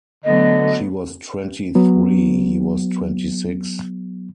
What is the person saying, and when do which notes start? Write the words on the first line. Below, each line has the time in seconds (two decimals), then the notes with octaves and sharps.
She was twenty-three; he was twenty-six.
0.24 D3 F#3 A3 B3 D#5
1.75 F#3 B3